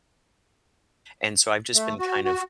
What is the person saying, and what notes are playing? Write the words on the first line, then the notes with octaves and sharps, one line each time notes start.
and so, I've just been kind of
A3
F#4
F#4